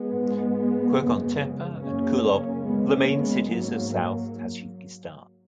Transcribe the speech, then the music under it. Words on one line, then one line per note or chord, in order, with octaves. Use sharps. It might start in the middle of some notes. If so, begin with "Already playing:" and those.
Qurghonteppa and Kulob are the main cities of south Tajikistan.
Already playing: G#3 B3
G#2
F#2 C#3
F#2 C#3 A#3 C#4
A#3 C#4
E2 C#3 G#3 B3
A#3 C#4
G#3 B3
G#2 F#3 A#3